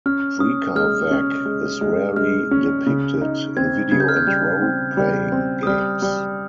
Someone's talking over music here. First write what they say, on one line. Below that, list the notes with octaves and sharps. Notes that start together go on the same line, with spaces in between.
Drekavac is rarely depicted in video and roleplaying games.
C#4 F6
C#4 D#6
G#3 F6
C#4
G#3
G#3
G#3 F6
C#4
C#3
D#4
C4 G#6
C#3 G#6
G6
F6
G6
G3 G6
C4
G3
C4
D#6
G3 F6
G3